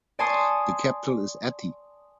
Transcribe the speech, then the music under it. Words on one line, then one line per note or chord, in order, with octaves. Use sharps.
The capital is Ati.
D5 G#5 A5 C6 C#6 D#6